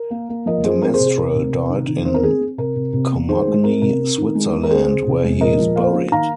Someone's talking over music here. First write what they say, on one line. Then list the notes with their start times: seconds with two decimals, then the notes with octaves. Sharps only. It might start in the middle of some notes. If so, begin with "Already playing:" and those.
De Mestral died in Commugny, Switzerland, where he is buried.
Already playing: A#4
0.10 A#3
0.29 A#3
0.46 F3 A#4 D#5
0.64 F3 G#4 C5
0.81 C4 A#4
0.94 G#4 C5
1.00 C3
1.06 G#4
1.17 C3 A#4
1.35 C3
1.53 C3
1.69 D#3
1.87 D#3
2.05 C4 C5
2.14 A#4
2.23 C4 G#4
2.41 C4
2.58 C3 A#4
2.76 C3
2.93 C3
3.12 A#3
3.28 D#3 G#4 C5
3.47 G#3
3.64 C4 A#4
3.82 C3 A#4
3.99 C4
4.18 D#3
4.35 G#3
4.53 G#3
4.63 A#4
4.70 C4 G#4 C5
4.88 C4
5.06 C3
5.23 G#3
5.41 A#2 A#4 D#5
5.58 F3
5.76 A#3 C5 F5
5.93 A#3
6.11 D#3 F5 A#5